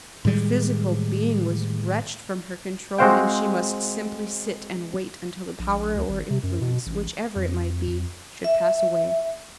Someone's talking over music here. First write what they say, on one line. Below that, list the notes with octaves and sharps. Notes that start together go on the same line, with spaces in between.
Her physical being was wrenched from her control, and she must simply sit and wait until the power or influence, whichever it might be, should pass away.
A2 D#3 G3 G#3
G#3 C4 F#4 C5 F5 G5
A#1
D2
G#1
C3
F#2
B2
A1
F2
F2
E5